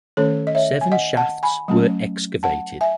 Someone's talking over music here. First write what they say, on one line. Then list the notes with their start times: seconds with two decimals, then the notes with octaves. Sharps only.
Seven shafts were excavated.
0.17 D#3 A3 C#4 A4 C#5
0.47 D#5
0.55 C#5 E5
0.81 G#5
0.92 D#5 F#5
1.17 F#5 A5
1.43 G#5 B5
1.68 F#3 A3 C#4
2.43 F#5 A5
2.81 E5 G#5